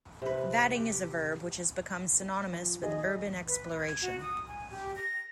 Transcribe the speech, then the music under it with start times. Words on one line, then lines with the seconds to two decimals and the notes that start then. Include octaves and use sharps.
Vadding is a verb which has become synonymous with urban exploration.
0.22 C3 B4
0.76 G4
2.53 F3
2.83 D#3 G#4 D#5
3.47 B4
3.77 G#6
4.02 F#4
4.21 D#6
4.48 G#5
4.70 G4
4.96 A#6